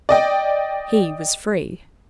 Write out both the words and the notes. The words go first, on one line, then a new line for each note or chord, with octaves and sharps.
He was free.
D5 D#5 G5